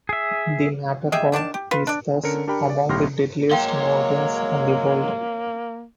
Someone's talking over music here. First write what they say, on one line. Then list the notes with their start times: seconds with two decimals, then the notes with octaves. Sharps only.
The Matterhorn is thus amongst the deadliest mountains in the world.
0.09 G#4 E5
1.12 G4 G#4 D#5 E5
1.32 D#3 D4 F#4 A5
1.54 G4
1.71 F4 B4
1.87 D4 D5
2.23 D3 C#4 A#4 C#7
2.47 D4 G4 A#4 G5 B5
2.70 D5
2.89 B1 A2 G4 C6 F6 A#6
3.51 F#3 G#3 A#3 C#5 F5 G5 C6